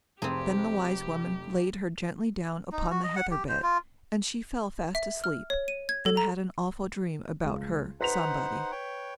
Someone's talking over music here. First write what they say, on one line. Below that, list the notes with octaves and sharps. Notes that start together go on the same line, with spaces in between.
Then the wise woman laid her gently down upon the heather-bed, and she fell fast asleep, and had an awful dream about her Somebody.
F1 C4 G4 G#4
D#4
F#4
D#5
F#5
G4
C5
F4
E5
F6
C#5
D#7
G#6
A4
A#5
C#2
D#4 B4 C5 F#5 B6 F7
C#5 G5